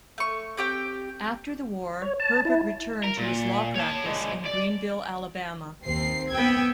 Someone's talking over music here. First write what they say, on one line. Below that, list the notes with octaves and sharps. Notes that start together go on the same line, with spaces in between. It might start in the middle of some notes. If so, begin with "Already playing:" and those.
After the war, Herbert returned to his law practice in Greenville, Alabama.
A3 C#6
C4 G4 G5
C#5
A5
E4
A#4
A#2
C#5 A5
D3 G#3
D5
D#2 C4 C7
B3 G5 E6 G#6